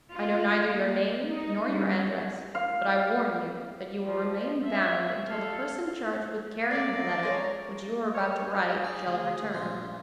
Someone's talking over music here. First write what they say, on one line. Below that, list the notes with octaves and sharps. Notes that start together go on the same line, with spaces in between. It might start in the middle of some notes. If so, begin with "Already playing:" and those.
I know neither your name, nor your address, but I warn you, that you will remain bound until the person charged with carrying the letter which you are about to write shall have returned.
F4
A#3
D#4
G3
F5
F3
E5
A4 F5
D3 A#3 D5
G#3 A#4 C#5
C#5
G#4
D5 C#6
D2
A#1 G2 C5